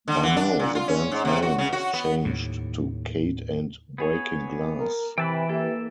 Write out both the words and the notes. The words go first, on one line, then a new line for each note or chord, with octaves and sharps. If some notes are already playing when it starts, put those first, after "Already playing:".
By now the band's name has changed to "Kate and Breaking Glass".
D3
E3
D4
A#2
F4
C#4
G#2
C3
F#4
C#3
F#4
B3
D#2 A2
B3 G#4 C#5
A#4
C3 E3 G5 A5 B5
A#3 G4 A4 E5